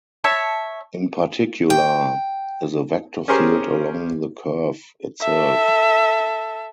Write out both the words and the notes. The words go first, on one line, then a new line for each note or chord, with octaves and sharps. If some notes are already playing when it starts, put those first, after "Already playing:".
In particular, is a vector field along the curve itself.
C#5 E5 A5
G5
C#4 G4 G#4 A#4 C5 C#6
A4 E5